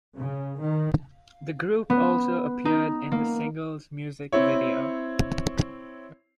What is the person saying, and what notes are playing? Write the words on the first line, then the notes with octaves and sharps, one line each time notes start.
The group also appeared in the single's music video.
C#3
D#3
B3
D#4
A#3
C4 E4 C#5